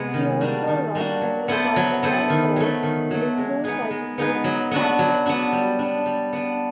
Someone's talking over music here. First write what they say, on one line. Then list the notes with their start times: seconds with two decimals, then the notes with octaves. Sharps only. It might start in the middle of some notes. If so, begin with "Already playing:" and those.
He also wrote several political or linguo-political pamphlets.
Already playing: C3 G#3 B3
0.14 D#3
0.41 G3 A#3 D4 F#4
0.67 D#3
0.95 G3 A#3 D4 F#4
1.21 F#3
1.48 B3 E4 A4 C5
1.76 F#3
2.03 B3 E4 A4 C5
2.30 D#3
2.56 F#3 A3
2.83 D#3
3.11 F#3 A3
3.37 G#3
3.64 B3 D#4 G#4 B4
3.91 G#3
4.18 B3 D#4 G#4 B4
4.44 F#3
4.71 B3 D4 F#4
4.99 F#3
5.26 B3 D4 F#4
5.53 G3
5.79 B3 D4
6.06 G3
6.33 B3 D4